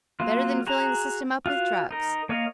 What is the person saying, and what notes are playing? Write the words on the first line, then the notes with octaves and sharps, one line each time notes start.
Better than filling the system up with drugs.
F#3 A#3 F4
F#4 G#4 A#5
F4 F#4 F5
D#4 A#4
A#3 C#5 D#5 F5